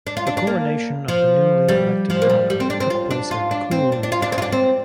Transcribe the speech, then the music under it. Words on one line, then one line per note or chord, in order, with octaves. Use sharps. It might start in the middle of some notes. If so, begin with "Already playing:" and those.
The coronation of the newly elected monarch took place on Kurultai.
D4
F4
D4
D4
A#3
F3
G3
F3
A#3
G3
G3
C4
D4
C4
F4
D4
F4
D4
C4
D4
D4
F4
D4
C4
F4
D4
C4